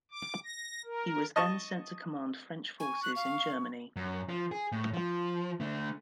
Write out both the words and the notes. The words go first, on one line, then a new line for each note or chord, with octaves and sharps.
He was then sent to command French forces in Germany.
D6
A#6
A#4
D#5 A5 C#6
G#5 C#6
F#6
F5
F#2
F3
G#4
A2
F3
D3 A3